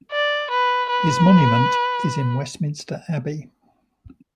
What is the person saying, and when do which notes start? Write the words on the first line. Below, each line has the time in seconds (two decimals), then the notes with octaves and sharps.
His monument is in Westminster Abbey.
0.12 D5
0.51 B4
0.91 B4